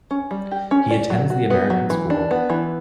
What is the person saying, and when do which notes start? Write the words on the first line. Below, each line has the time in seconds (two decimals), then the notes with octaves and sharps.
He attends the American School.
0.11 C#4
0.31 G3
0.51 G4
0.71 C#4
0.91 D5
1.10 F#3
1.30 F#4
1.50 B3
1.70 F#3
1.90 E3
2.10 D4
2.31 B3
2.50 E3